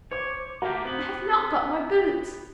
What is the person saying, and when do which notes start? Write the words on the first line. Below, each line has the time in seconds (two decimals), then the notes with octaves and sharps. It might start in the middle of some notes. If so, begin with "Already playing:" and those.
I have not got my boots!
0.11 C5 C#5 D6
0.62 A3 A#3 F#4 G4 A#5
0.85 B3 C4 F#7